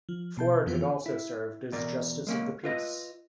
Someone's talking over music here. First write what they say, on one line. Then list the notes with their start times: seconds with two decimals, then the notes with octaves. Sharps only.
Ford had also served as justice of the peace.
0.09 F3
0.37 B2 A5 G6
0.66 F2 E3 B3 F4
1.06 E4
1.72 E2 B2 A#4 D5
2.27 G#3 A#3 C#4
2.64 F4 B4 D#5